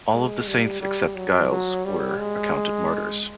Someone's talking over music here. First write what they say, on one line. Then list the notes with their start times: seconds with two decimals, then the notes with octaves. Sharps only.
All of the saints except Giles were accounted martyrs.
0.12 G#3
0.47 G3
0.81 G3
1.15 F#3
1.50 F#3
1.84 G3
2.19 G#3